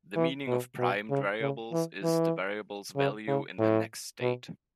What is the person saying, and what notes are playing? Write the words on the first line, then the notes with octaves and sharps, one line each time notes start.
The meaning of primed variables is "the variable's value in the next state".
E3
B2
B2
C#3
C#3
E3
E3
C#3
C#3
A2
B2